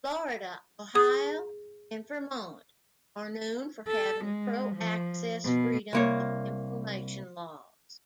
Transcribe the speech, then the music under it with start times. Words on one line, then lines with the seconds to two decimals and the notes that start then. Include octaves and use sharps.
Florida, Ohio, and Vermont are known for having pro-access freedom of information laws.
0.95 G#4 D#6
3.87 A4
4.25 G#3
4.76 F3
5.43 B2
5.93 C2 A#3 C#5